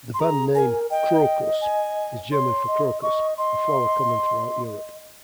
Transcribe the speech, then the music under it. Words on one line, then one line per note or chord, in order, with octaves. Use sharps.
The band name "Krokus" is German for crocus, a flower common throughout Europe.
C6
G#4 A#5
A#4 G#5
D#5 G5
G#5
C#5 C6
D#5
D#5 C#6
D#5 C6